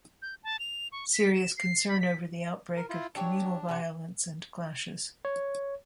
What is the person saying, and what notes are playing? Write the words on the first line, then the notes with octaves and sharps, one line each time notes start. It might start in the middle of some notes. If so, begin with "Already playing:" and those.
Serious concern over the outbreak of communal violence and clashes.
G6
A5
F7
C#6
B6
E7
C7
B5
B6
A#4
E4 F4
F#3 D4 G4 C#5
C3 F#5 G#5
C#5